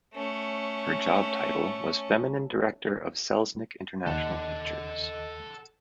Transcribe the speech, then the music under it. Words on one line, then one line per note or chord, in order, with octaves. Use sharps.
Her job title was Feminine Director of Selznick International Pictures.
A3 C#4
D#2 A4 D#5 F#5